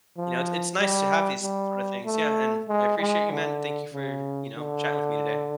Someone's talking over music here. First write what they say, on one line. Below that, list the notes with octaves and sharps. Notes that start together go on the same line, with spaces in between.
you know, it's it's nice to have these sort of things. Yeah, and I appreciate you, man. Thank you for, you know, chatting with me today.
F3
G3
G3
A3
G#3
G#3
D3
C#3
D3